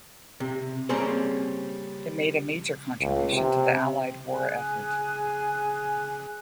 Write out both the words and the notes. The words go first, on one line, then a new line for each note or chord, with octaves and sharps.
It made a major contribution to the Allied war effort.
C3
G3 A#3 C4 C#4 G#4 C5
C#2
C3
G#4 G#5 F#6